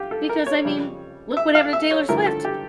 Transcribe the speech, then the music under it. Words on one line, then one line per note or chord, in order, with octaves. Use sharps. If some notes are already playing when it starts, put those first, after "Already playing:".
because I mean, look what happened to Taylor Swift.
Already playing: F4 G4
A4
A#4
C#5
F2 C#3 G3
E5
F5
E5
C#5
G2 D3 F3 A3 E4 A#4
A4
G4